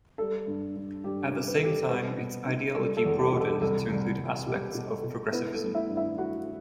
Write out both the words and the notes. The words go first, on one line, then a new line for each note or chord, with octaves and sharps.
At the same time, its ideology broadened to include aspects of progressivism.
G3 A4
G2
G2
G2 G4
C4
B4
A4
G3 G4
A4
C5
G3 B3 B4
B2
D#4
G3 A4
A4
E2
G4
B2
A4
C2 A4
C2
C2
B2 G4
B2
A4
B2
B3 E4 B4
A4
A3
E4 E5
G2
E4 E5
E4 F#4 F#5